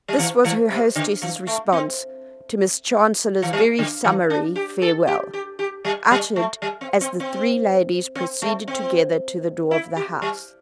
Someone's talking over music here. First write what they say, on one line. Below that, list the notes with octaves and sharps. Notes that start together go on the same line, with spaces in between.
This was her hostess's response to Miss Chancellor's very summary farewell, uttered as the three ladies proceeded together to the door of the house.
G3
E3
E3
C3
D3
E3
A3
C4
E3
G3
D3
E3
D4
G4
A4
G4
G4
G4
G3
G3
A3
G3
C4
C4
C4
C4
A3
C4
E4
G4
G3